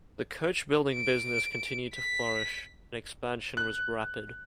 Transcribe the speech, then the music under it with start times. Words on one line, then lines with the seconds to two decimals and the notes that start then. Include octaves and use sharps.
The coachbuilding business continued to flourish and expansion was rapid.
0.95 D7
1.95 B6
3.57 F#6